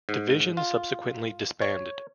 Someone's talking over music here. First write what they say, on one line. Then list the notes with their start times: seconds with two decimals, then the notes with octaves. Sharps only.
Division subsequently disbanded.
0.09 G#2
0.57 F4
1.62 C#5